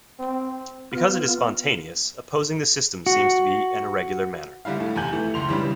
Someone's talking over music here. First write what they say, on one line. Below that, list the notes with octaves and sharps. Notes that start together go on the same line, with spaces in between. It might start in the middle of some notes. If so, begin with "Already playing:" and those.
Because it is spontaneous, opposing the system seems to be an irregular manner.
C4
B3 F4
F#4
D3 G3 E4 F5
A2 A3
F1 E2 G4 G#5 G6 F#7
E3 A3
F#1 C#2 C6 F7
C#3 E3 G3 D4 B4